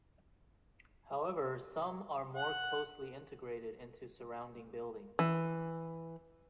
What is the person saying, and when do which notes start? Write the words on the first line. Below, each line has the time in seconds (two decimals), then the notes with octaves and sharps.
However some are more closely integrated into surrounding buildings.
2.35 F#5
5.19 E3